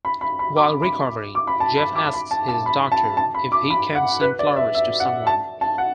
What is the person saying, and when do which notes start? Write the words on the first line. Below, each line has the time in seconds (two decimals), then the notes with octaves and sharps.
While recovering, Jeff asks his doctor if he can send flowers to someone.
0.05 B5
0.21 B5
0.39 B5
0.56 D6
0.82 B5
1.35 D6
1.47 B5
1.60 A5
1.78 B5
1.95 D6
2.13 B5
2.31 A5
2.48 A5
2.66 B5
2.92 A5
3.17 A5
3.35 B5
3.52 D6
3.70 B5
3.95 F#5
4.21 B4
4.39 D5
4.56 E5
4.75 E5
5.00 F#5
5.27 A5
5.61 A5
5.78 F#5